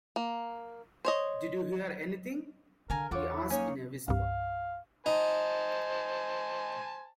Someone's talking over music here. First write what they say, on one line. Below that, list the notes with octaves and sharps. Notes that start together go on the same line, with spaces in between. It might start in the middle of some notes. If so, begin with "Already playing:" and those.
"Did you hear anything?" he asked in a whisper.
A#3
C5 C#5 D#5
D3 A#4 F5 G#5 A#5
E2 F4 A4 C#5 F#5 D6
E4
A#3 C#4 D#4 C#5 G#5
C2 G2 F5
D#4 C5 G#5 A5